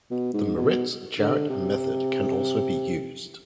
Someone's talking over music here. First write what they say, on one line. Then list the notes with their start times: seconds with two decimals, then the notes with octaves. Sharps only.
The Maritz-Jarrett method can also be used.
0.11 B2
0.33 G#2
0.57 B2
1.19 D3
1.50 C3